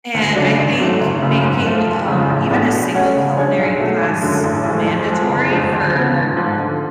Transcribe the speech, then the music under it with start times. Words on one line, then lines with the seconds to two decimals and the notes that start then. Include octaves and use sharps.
And I think making, um, even a single culinary class mandatory for
0.14 D2
0.36 C#3 F#3 A3 D4
0.58 G#1
0.79 G#2 F#3 A3
1.00 F#1
1.22 F#2 C#3
1.43 G#2
1.65 F3 A3 F4
1.86 F1
2.08 F2 C#3 G#3
2.30 A1
2.51 A2 G#3 B3 D4
2.72 B2
2.93 A3 C#4 F#4 C#5
3.15 C#3
3.37 G#3 D4 G#4 C#5
3.58 B1
3.80 B2 F#3 A3
4.01 G#1
4.22 F#2 D3 G#3
4.44 A1
4.65 A2 F3 G#3
4.86 F2
5.08 F3 G#3
5.29 F#1
5.51 F2 F3 G#3
5.72 D2
5.94 C#3 F3 B3
6.15 G#1
6.37 G#2 F3
6.58 D3